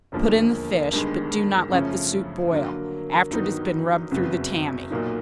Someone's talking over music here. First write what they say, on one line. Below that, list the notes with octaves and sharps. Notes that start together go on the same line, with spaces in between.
Put in the fish, but do not let the soup boil, after it has been rubbed through the tammy.
E1 D#2 D3 F3 A#3
G1 G2 D#3 G#3
F#2 C#3 F3 A3 C#4
D3 F#3 A#3
G2 D#3 F#3 B3 D#4
F#1 F2 C#3 F#3 B3
B1 A#2 F#3 A#3 D#4